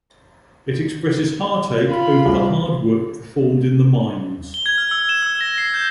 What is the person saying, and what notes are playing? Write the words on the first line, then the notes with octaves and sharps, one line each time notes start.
It expresses heartache over the hard work performed in the mines.
F4 B5
C2
G7
G#6
F6
E6
E7
E6
A#6
C7
G6